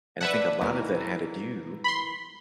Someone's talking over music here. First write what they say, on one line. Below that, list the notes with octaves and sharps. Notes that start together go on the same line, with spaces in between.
And I think a lot of that had to do,
D4 B4 E5 F#5
D#2 E3 A#4
B5 C6